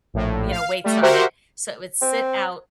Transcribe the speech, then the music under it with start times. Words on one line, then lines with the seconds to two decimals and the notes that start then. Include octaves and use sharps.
you know, weights on it so it would sit out,
0.14 A#1 A2
0.52 F5
0.84 G3 A3
1.02 F#4 G4 A#4 C5 E5 F#5
2.02 C4